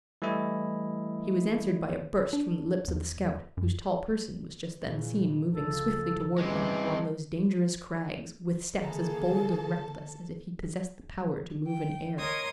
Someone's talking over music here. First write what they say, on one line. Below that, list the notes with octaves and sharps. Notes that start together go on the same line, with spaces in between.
He was answered by a burst from the lips of the scout, whose tall person was just then seen moving swiftly toward him, along those dangerous crags, with steps as bold and reckless as if he possessed the power to move in air.
E3 G3 A3 E4 D#5
D4
E2
F#2
A#2 C#3 E3
C#2 F3 A4
E3 G3 G#3 C4 C#4
C#2 D3 E3 A#3 G#4 A4 A5 A#5
G5
A#4 C#5 D#5 C6 D#6 G#6